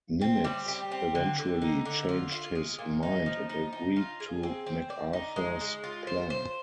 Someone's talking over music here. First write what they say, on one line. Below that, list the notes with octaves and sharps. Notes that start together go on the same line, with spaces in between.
Nimitz eventually changed his mind and agreed to MacArthur's plan.
C4
G3
G4
C4
D3
D3
D#4
D3
F4
F4
G#3
A#2
D#4
F3
D#4
D#4
F4
G#4
C4
C4
D5
D#4
G#3
G#3
F4
C5
C5